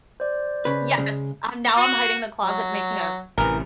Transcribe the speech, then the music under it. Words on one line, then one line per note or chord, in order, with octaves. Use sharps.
Yes, I'm now I'm hiding in the closet making a
C5 D5
C#3 B4
C#3 G#3
F#4
F#3
A1 C3 E3 A#4